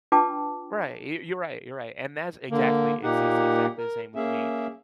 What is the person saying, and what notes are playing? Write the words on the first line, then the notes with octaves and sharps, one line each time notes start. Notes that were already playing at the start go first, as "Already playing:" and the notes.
right, you you're right, you're right, and that's exactly it's it's exactly the same with me,
D4 F4 B4 G5 A5 D6
D3 A#3
A#2 A#3 D#4 G4 F#5
A#4
A#3 C#4 G#4 E5